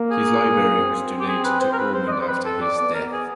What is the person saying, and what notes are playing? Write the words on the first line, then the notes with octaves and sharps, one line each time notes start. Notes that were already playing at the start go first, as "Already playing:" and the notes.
His library was donated to Ormond after his death.
Already playing: A#3
G#4
C4
G4
G#4
B4
C5
A#4
B4
C5
D#5
D5
C5
B4
A4
D5
B3 D5
A#4
G#4